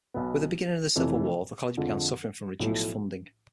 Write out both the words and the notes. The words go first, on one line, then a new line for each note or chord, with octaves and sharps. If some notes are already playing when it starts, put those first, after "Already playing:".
With the beginning of the Civil War, the college began suffering from reduced funding.
B1 B2 B3
F1 F2 C3 E3 A3
F2 D3 F3 G#3
B1 A2 F3 A3